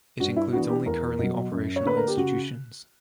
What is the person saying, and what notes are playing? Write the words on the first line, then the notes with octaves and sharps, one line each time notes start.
It includes only currently operational institutions.
G2 F#4
E4
E3 B3 D4 F#4
G4
E2 A#4
B2 F#3
F#2
C#5
D3 A#3 D4 B4
A#4
G4
C#3 F#4